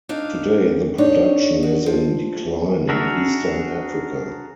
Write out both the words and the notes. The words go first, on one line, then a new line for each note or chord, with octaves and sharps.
Today the production is in decline in eastern Africa.
D4 D#4 F5
D4 D#4 C#5
F#4
F3
D4 F#4 G#4 A#4 E5